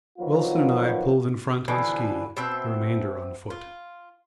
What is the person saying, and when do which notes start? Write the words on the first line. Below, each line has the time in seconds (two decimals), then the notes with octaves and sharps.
Wilson and I pulled in front on ski, the remainder on foot.
0.18 D#3 F3 F#3 B3 F4
1.68 B2 D3 E3 F3
2.37 B2 C4 E5
3.50 F4